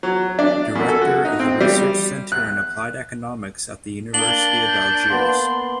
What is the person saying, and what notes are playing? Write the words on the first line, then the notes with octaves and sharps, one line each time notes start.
Director of the Research Center in Applied Economics of the University of Algiers.
F#3
D4
F#2
A4
F#4
D#4
C4
G3
F#6
A#3 D4 F#7 G7
G6
A#3 B3 C6